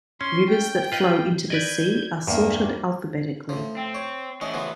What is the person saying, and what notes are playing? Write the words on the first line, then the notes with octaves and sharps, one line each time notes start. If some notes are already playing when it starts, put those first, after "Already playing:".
Rivers that flow into the sea are sorted alphabetically.
C#4 C6
G5
F4 B4 D#5
B4 D5 D#5 G6 G#6
E2 G2 A#3
A2 F3
C4
C#5
A2 E3 C#4 D#5
C#3 F3 B3